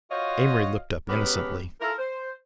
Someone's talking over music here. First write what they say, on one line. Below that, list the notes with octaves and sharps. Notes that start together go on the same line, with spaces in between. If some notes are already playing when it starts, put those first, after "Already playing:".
Amory looked up innocently.
F4 F#4 C5 C#5 D#5 F5
G#3 B3 C#4 G4 A#4 B4
E4 F4 A4 A#4
C5